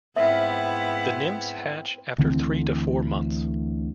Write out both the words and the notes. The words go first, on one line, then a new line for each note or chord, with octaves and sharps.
The nymphs hatch after three to four months.
G#2 B3 C4 E4 E5 F5
D2 D3 E3 C4